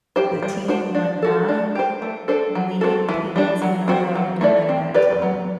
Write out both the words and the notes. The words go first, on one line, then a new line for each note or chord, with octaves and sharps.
The team won nine league pennants in a row during that time.
G4 C5
G3
D4 F#4 C5
D4
F#4 A4
D4
G4 C5
A3
D4 A4 C5
F#3
C4 F#4 A4
E3
G3 D4
F#3
C4 F#4 C5
F#3
A3 E4 A4 D5
C4
G4 B4 D5
F#3